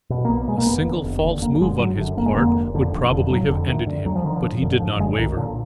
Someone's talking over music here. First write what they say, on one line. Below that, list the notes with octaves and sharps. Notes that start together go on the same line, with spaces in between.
A single false move on his part would probably have ended him, but he did not waver.
B2
A#3
B1 B3
B2 G#3
A#3
F1 B3
D#2 D3
F1
D#2 D3
F#1 A#3
F#2 D3 G#3
F#1 F#3
F#2 D3
F1 A#3
G#3
F2 D3 A#3
F1
F2 D3
F#1
F2 D3
F#1 F#3
F2 D3
D2 D#3
D3
D2 F#3
F3
D3 D#3
F3
F#1
F#2 D3
F#1 F3
F#2 D3 G#3
B1 D#3
A#2 D3